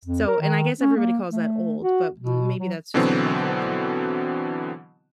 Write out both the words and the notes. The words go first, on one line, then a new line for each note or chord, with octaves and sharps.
so and I guess everybody calls that old, but m maybe that's just a cultural thing,
F2
A#4
D#3
C#4
A#3
A3
F#4
B2
F#3
B2 D3 E3 F#3 B3 C4